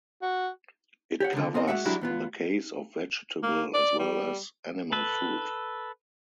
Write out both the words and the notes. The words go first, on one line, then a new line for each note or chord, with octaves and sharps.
It covers the case of vegetable as well as animal food.
F#4
G4 C#5 F#5
C#2 D3
B3 C4 A#4 D#5
G#3 B3 F#4 E5 F#5
F#3 G#3 D4 E4 F#4 G4
E2 B3 F4
A#3
D5
G3
A4 B4